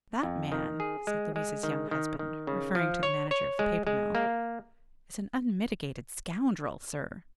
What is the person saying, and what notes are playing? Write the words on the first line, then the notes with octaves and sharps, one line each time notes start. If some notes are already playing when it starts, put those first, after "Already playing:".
"That man," said Louise's young husband, referring to the manager of the paper mill, "is an unmitigated scoundrel, sir."
F2
D#3
G#4
G#3
G#3
D#3
D#3
D#3
C#3
F3
C#5
C#5
G#3
G#3
A#3